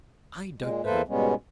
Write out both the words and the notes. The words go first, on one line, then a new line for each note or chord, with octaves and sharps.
I don't know.
A#2 G#3
E2 A#3 A4 B4 C5 E5
G#2 B2 G3 G#3 B3 C#4